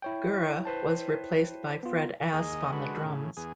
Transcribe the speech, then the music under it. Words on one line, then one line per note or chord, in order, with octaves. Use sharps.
Gurra was replaced by Fred Asp on the drums.
E4 C#5 G5
B4 C5 A5
B3 F4
D#2 G#4 D#5
D3 G#3 F#4 B4
A2 C#3
E2 G#4